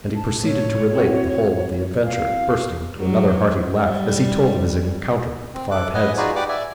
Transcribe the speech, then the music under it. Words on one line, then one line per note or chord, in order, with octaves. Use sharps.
And he proceeded to relate the whole of the adventure,--bursting into another hearty laugh as he told of his encounter with the five heads.
A5
A2 C#5
C4 E4 F#4
F5
F#3
G3
C4
A4 D6 F#6
B4 D#5 F#5 G#5
D#4 F4 F#4 G#4 B4 D5
G4 B4 D5 F#5 D6
D5 E5 G#5